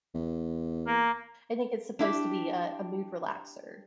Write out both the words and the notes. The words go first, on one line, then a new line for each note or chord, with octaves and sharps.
I think it's supposed to be a a mood relaxer.
E2
A#3
D4 E4 G4